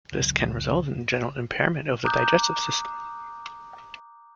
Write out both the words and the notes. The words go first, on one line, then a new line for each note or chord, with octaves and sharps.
This can result in the general impairment of the digestive system.
C#2 F#2 A2 D3
A#5 D6 D#6 F#6 G6